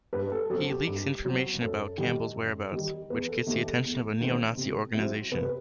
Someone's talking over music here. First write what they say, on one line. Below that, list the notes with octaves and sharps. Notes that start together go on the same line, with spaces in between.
He leaks information about Campbell's whereabouts, which gets the attention of a neo-Nazi organization.
G2 B4
A4
F#3 C4 A4
G4
G2
F#3 C4
F#2 A4
D#3 G3
F#2
D#3 G3
E2 B4
A4
D#3 A3 C4 D#4 G4
A4
E2
D#3 A3 C4 D#4
C3
F#3 C4 E4
C3 B4
B4